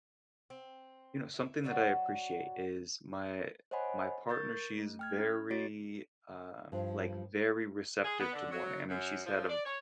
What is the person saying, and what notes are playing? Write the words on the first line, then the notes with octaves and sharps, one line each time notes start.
you know, something that I appreciate is my my partner, she's very, uh like, very receptive to mourning. I mean, she's had a v
C4
E4
F#3 D4 F#4 C5
C5 C#5 D#5 F#5 G#5 B5
A#4 C#6 G6 A6
A3
G5 F6 G#6
C#4 E4
A3 F#4 C#5 A6 D7
G2 F3
G#4
B3
D3
F#3
F#2
F3
D5
C#5